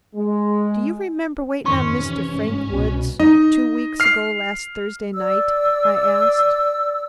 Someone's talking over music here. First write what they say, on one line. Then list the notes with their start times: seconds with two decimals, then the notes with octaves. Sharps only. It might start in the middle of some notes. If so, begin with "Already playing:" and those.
"Do you remember waiting on Mr. Frank Woods two weeks ago last Thursday night?" I asked.
0.16 G#3
1.65 F2 G#2 D#3 C#4 D#4 C6 C#6
1.97 C3 E3
2.30 G1 G#2
2.69 C2 B2
3.20 D#4 D#5
4.00 F6 C7
5.15 D5 E6